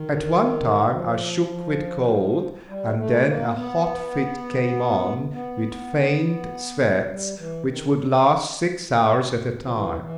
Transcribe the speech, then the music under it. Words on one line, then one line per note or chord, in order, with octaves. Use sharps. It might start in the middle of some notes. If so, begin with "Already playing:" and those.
At one time I shook with cold, and then a hot fit came on, with faint sweats, which would last six hours at a time.
Already playing: D#3
F3
G3
A3
A#3
B3
B3
G3
E3
D#3
F3
E3
E3